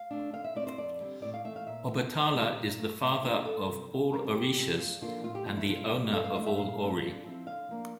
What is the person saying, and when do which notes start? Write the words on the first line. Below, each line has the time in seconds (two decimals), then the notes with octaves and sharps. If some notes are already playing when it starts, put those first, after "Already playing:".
Obatala is the father of all Orishas and the owner of all ori.
Already playing: F5
0.11 A3 D4
0.33 D3 F5
0.44 E5
0.55 A3 C4 E4 D5
0.67 C5
0.78 F2 D5
1.00 D3 G3 C4
1.22 A2 D5
1.34 F5
1.44 E3 A3 E5
1.56 F5
1.67 A#2 E5
1.89 A3 E4
2.12 D2
2.34 D3 G3 A#3 E4
2.56 A#2
2.78 A3 E4
3.01 A2 F5
3.12 E5
3.23 G3 A#3 D4 C5
3.45 D2 A4
3.68 C3 F3
3.90 D2
4.12 D3 G3 C4 A#4
4.24 A4
4.34 D2 G4
4.56 C3 F3 C4
4.79 D2 F4
5.01 D3 F3 A#3 D4 F4
5.23 A2 F4
5.35 G4
5.46 F3 A#3 D4 F4
5.57 E4
5.68 C3 F4
5.91 E3 G3
6.13 G2 A4
6.24 F5
6.35 D3 A3 E4 E5
6.46 E5
6.57 A#2 F5
6.80 A3 C4 E4
7.02 D3
7.24 F3 C4 E4
7.46 D3 F5
7.69 F3 A#3 D4